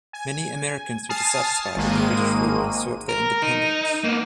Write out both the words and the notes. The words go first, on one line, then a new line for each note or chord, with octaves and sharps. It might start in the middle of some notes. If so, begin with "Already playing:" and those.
Many Americans were dissatisfied with British rule and sought their independence.
G#5
G#5 A5 D#6 F6 A6 C7
G#1 D#3 G#3 A#3 D#7
A#4
D#4
A#3 B3